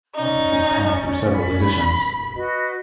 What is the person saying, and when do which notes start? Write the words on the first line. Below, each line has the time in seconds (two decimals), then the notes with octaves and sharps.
Most of these passed through several editions.
0.15 C#4 D#4 D5
1.36 B5
2.35 F#4 B4 D#5